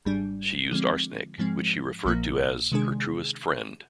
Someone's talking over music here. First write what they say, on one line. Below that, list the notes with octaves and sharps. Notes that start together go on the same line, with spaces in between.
She used arsenic, which she referred to as "her truest friend".
G#1 G#2 G3 D4
D3 F3 G#3 C4
G#2 F3 G#3 C4
A#1 A#2 F3 A#3
C3 D#3 G#3 D4 G#4